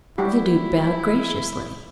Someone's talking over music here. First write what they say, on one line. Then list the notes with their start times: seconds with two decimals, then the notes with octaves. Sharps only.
The Duke bowed graciously.
0.18 G3 E4 F#4 G4